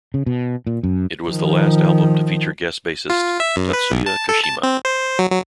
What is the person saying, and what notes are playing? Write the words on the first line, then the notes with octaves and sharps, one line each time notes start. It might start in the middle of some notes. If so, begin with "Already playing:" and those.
It was the last album to feature guest bassist, Tatsuya Kashima.
C#3
B2
A#2
F#2
D#3 F3
F4
E5
F#2
B4
B1
A5
A4
A5
C4
C5
F#3
F#3